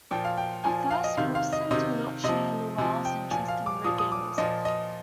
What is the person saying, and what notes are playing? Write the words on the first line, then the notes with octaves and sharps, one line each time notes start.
At first, Wilson did not share Nowell's interest in reggae music.
A#2 F3 G5
F5
G5
A#2 F3 G#5
F5
D#5
C3 D#3 F5
F5
D#5
C3 D#3 D#5
C3 F3 D#5
C3 F3
G5
A#2 F3 G#5
F5
D6
A#2 F3 D#6
D#6
D6
A#2 F3 D#5
D#5